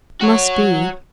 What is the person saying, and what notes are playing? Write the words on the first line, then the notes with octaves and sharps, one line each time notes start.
Must be.
F#4 C#5